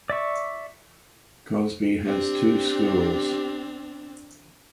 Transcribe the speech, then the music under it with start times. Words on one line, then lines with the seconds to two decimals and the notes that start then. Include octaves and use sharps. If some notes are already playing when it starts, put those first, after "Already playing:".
Cosby has two schools.
0.10 D5 E5 C#6
2.05 C4 D4 G4